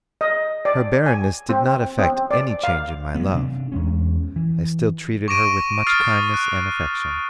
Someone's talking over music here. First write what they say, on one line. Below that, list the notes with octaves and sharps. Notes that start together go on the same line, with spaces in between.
Her barrenness did not effect any change in my love; I still treated her with much kindness and affection.
D#5
D5
G#5
C4
C4
D5
F5
F#3 A3 B3
C3 D4
E2 G#3 C#4
E3
C#6 D6 A#6 D7 D#7
D#6 F6 A6 C7
F#6